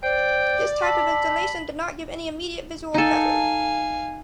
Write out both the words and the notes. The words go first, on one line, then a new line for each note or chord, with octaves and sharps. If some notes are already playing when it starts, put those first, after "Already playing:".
This type of installation did not give any immediate visual pleasure.
C5 D5 G5
A5 B5 E6
D#4 A4 F5 G#5